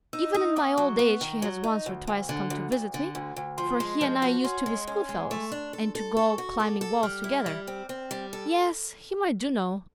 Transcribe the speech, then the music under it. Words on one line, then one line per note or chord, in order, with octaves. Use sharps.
Even in my old age he has once or twice come to visit me, for he and I used to be schoolfellows, and to go climbing walls together. Yes, him I do know.
D#4 E6
D#4 D#6
B3 D6
F#3 C#6
B3
D#3
F#3
D#4
D2
D2
D3
D2
D2
D3
D2
D2
F3 C6
G#3
F3
F#4
C#4 C6
G#3
C#4
G#3
A3
D4
A4
A4
A4 C#6
F#4
A4 D6
A4
G3 F6
E4
G3
C4
C4
G3
A4